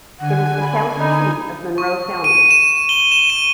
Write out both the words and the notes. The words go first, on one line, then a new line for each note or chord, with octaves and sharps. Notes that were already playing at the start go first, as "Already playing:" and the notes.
It is the county seat of Monroe County.
D3 F#5 G#5
B5
D#4
C#6
D#7
E7
G7
E7
D#7